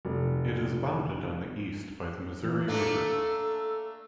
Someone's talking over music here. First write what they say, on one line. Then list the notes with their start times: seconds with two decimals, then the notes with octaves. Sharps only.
It is bounded on the east by the Missouri River.
0.05 F1
2.41 E3
2.68 A3 A#3 D4 A4